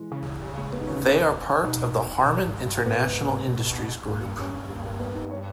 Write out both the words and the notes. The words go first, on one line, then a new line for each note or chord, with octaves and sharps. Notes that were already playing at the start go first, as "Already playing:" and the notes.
They are part of the Harman International Industries group.
Already playing: E3 G#3
C#3
G3
G#3
B3
D#4
C#4
B2 D#4
B2
G#2
G2
G#2 B3
A#2
G#2
A#2
G#2
B2
G#2 A#3
G2
G2 C#4
G2
A#3
A#3
B3
D#4
C#5